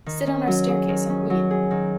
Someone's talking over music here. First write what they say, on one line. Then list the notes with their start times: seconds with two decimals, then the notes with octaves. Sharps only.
Sit on our staircase and read.
0.06 D#3
0.27 C#4
0.47 F#3
0.68 G#4
0.89 D#3
1.10 C#4
1.30 F#3
1.51 G#4
1.71 D#3